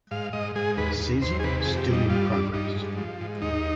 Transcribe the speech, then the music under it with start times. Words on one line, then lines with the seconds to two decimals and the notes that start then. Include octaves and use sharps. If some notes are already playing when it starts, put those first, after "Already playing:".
Season still in progress.
0.11 G#2 F5
0.33 G#2 D#5
0.56 G#2 G#4
0.77 D#2 B4
1.00 D#2
1.22 D#2 C5
1.40 G#4
1.43 C3 B4
1.61 G#4
1.66 F2
1.77 G4
1.88 G3 D#4
2.10 G2 F4
2.32 G2 D4
2.54 G2 D#4
2.75 G#2
2.98 F3
3.21 G#2
3.42 D#2 D#4